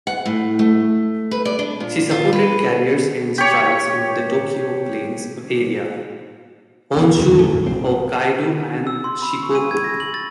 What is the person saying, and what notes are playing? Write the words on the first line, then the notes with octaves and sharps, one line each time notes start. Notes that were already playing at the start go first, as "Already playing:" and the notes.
She supported carriers in strikes in the Tokyo Plains area, Honshu, Hokkaido, and Shikoku.
F#5
A2
A3
B4
D5
D4
A#2
F4
B4
G4 C#5
E2 B2
F1 D#2 C#3 F#3
A2 D3 A3
G#1 F#2 A#2
B1 C4
E6
C6
B5
C#6
D#7
G#6
A#6
F#7
A6